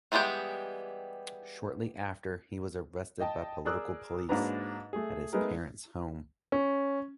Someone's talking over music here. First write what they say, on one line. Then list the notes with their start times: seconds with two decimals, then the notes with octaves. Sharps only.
Shortly after, he was arrested by political police at his parents' home.
0.12 E3 G3 G#3 B3 G4
3.20 D#5 G5 A5
3.65 G#4 A#4 D5 D#6 E6 F#6
4.29 G#2 F#3 A#3 D4 B4 A#5
4.93 A3 G#4
5.33 G#3 A3 B3 D#4 G#4 A#4
6.52 C#4